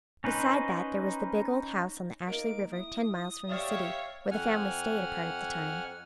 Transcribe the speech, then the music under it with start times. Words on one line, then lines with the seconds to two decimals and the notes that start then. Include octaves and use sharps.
Beside that there was the big old house on the Ashley River ten miles from the city, where the family stayed a part of the time.
0.24 C#4 D#4 B4 C5
2.27 A#3 D#4 A#4 D7
2.72 E4 D#6
3.49 G4 C#5 D5 E5 F5 F6 A6
4.31 F2 F#5 G#5 F6